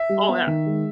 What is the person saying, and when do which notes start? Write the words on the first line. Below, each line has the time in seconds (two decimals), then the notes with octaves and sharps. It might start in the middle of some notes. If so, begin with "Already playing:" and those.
Oh yeah.
Already playing: E5
0.09 G3
0.29 B3
0.47 D#3
0.66 G#3